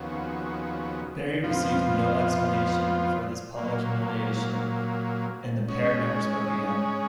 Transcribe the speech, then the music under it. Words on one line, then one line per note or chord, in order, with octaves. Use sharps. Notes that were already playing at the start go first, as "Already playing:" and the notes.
Berry received no explanation for this public humiliation and the pair never spoke again.
Already playing: D#2 C#3 F3 B3 F#4
F2 F3 B3 F4
A#2 F#3 A#3
C#3 G#3 C#4